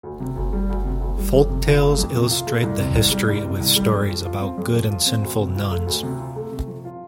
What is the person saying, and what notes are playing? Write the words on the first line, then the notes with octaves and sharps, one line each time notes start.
Folk tales illustrate the history with stories about good and sinful nuns.
D2
C3
D2
G3
D2
C3
D2
G3
F2
C3
F4
A3
F2
C3
F4
A3
C2
C3
C2
G3
C2
C3
C2
G3
F2
F3
F4
C4
F2
F3
F4
C4
D2
C3
F4
A3
D2
C3
F4
A3
C3
F3
F4